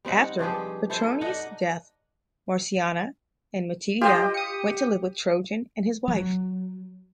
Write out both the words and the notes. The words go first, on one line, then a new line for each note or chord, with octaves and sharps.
After Patruinus' death, Marciana and Matidia went to live with Trajan and his wife.
G3 C4 D#4 F#5
G2 F3 G4 G#4
E4 A4 C5
D4 D#4 D#5 F#5
F4 G4 C5 D#5 G5
D#6 C#7
F#3